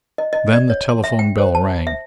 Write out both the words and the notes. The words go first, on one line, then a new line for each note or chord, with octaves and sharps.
Then the telephone bell rang.
D#5
D#5
D5
C#5
C6
E5
G5
C5
A5
E5